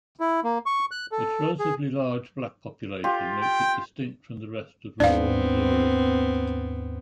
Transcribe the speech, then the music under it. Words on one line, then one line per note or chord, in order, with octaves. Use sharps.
Its relatively large black population makes it distinct from the rest of rural Missouri.
E4
A#3
C#6
F#6
A4
G#4
F4 G4
G5
D#2 G#2 B3 C4 D4 D5 F5